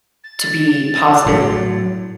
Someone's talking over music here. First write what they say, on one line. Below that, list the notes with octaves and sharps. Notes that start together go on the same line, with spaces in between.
to be positive
A6
A2 F#3